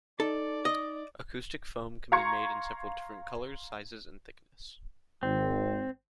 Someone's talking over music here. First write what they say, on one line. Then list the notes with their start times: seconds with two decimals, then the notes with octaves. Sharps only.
Acoustic foam can be made in several different colors, sizes and thickness.
0.20 D#4 A4 D5
0.65 D#5
2.12 F5 A#5 C6 C#6 G#6 C#7
5.23 G#1 C4